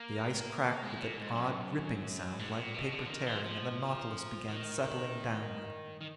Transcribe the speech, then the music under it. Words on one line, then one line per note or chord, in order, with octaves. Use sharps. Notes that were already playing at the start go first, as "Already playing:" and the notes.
The ice cracked with an odd ripping sound, like paper tearing, and the Nautilus began settling downward.
Already playing: A#3
G#3
A#2
G#2
F#2
G#2
A#2
B2
D3
F3
D#3
F3
F3
D#3
D#3